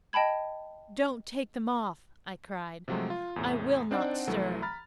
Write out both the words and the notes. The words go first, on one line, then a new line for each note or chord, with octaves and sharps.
"Don't take them off," I cried; "I will not stir."
D#5 G5 A5 B5 G#6
C3 F3 F#3 G#3 A3
F4
E2 A2 C3
C4 D4 D#4 C5 D5 F#5
C2 E3 F#3 A3
A#5 B5 F6 A6